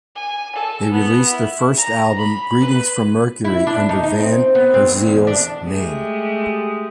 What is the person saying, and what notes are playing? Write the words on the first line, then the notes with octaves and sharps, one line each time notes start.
They released their first album, "Greetings From Mercury", under Van Herzeele's name.
G#5
A4
B3
E4
A#5
B5
B4
E4
D4
D#4
D#4
C4
B3
C4
D2
E2
D4
G#3 A3 G4